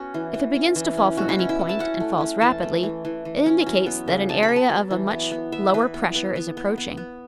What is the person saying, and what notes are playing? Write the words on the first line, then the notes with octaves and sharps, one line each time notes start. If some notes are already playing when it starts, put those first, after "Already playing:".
If it begins to fall from any point, and falls rapidly, it indicates that an area of a much lower pressure is approaching.
Already playing: B3 C#4 F#4
E3
E3
C#4
E3
C#4
B2 F#4
E4
C#4
E4
C#4
A5
C#4 F#5
A3
C#4
E3 A5
A3
E3
E3
E3
C#4
F#3
B3
C#3
F#3 A5
B5
B3
A5
F#3
E3
B3
B3
B3 E5
E3 B4
B3
B3
B3
B3
B3
B3